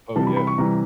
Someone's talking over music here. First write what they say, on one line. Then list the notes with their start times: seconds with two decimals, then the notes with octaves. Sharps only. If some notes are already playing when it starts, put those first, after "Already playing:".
Oh, yeah.
0.15 C3 E3 G3 A5
0.27 B5
0.37 B5
0.47 C#6
0.58 C3 E3 G3 A#5